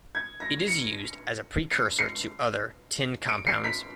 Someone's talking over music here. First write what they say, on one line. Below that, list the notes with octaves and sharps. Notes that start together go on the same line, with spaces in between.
It is used as a precursor to other tin compounds.
G#6
A#6
C#7
C7
C7
D7
C7
B6